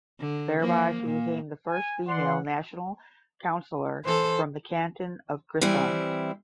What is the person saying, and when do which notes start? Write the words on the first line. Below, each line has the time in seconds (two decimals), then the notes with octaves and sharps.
Thereby she became the first female National Councillor from the canton of Grisons.
0.20 D3
0.60 F3 A#3
1.02 A#2
1.66 G#5
2.07 E3 D5 F#5 C6
4.05 E3 A4 C5
5.61 E3 G3 C4 E4